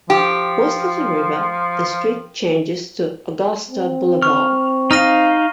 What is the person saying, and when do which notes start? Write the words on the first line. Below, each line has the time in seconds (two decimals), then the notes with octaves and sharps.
West of the river, the street changes to Augusta Boulevard.
0.10 F3 G4
3.71 C4
4.22 C#6 F6
4.91 D#4 F5 F6 A#6 D#7